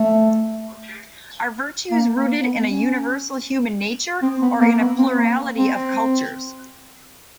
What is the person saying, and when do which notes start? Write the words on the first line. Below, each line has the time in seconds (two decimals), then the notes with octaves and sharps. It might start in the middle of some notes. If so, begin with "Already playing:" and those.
Are virtues rooted in a universal human nature or in a plurality of cultures?
Already playing: A3
1.91 A#3
2.16 A#3
2.43 B3
2.68 C#4
4.23 C4
4.42 B3
4.61 A#3
4.80 B3
4.99 C4
5.18 A#3
5.57 C4